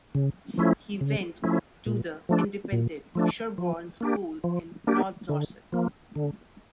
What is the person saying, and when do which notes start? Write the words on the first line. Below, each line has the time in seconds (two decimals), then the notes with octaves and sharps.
He went to the independent Sherborne School in north Dorset.
0.15 C#3
0.58 F3 A3 C#4 E4
1.01 C#3
1.44 F3 A3 C#4 E4
1.86 A#2
2.29 F3 A3 D4
2.72 A#2
3.15 F3 A3 D4
3.58 F3
4.01 A#3 D4 G4
4.44 F3
4.87 A#3 D4 G4
5.29 D3
5.72 F3 A#3
6.16 D3